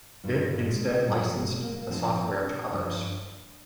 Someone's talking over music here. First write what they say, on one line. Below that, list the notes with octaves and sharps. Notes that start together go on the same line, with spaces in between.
It instead licensed the software to others.
G2 D#3 G3
G#3
G2 F3 G3
G#3
A#3
A#3
G2 F3 C4
G2 F3